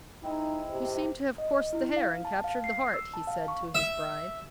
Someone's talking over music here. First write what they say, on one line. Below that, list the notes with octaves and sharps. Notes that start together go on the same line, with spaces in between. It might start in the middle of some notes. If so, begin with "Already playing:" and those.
"You seem to have coursed the hare and captured the hart." he said to his bride.
G#3 C4 D#4 E4
C3
D#5
E4
F5
A5
F5
C7
E6
A5
F5
C#6
E5